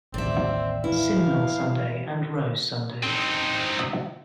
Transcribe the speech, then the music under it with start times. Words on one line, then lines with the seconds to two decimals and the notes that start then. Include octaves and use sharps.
Simnel Sunday and Rose Sunday.
0.14 A1 D#2 C4 D5 E5
0.84 E3 E4 F5
3.03 C4 D#4